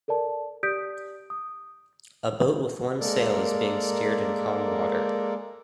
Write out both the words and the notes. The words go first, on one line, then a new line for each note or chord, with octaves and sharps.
A boat with one sail is being steered in calm water.
A4 A#4 D5 A5
G4 D5 D#6 G6 B6 D7
D#6
G#3 A#3 A4 A#4 D5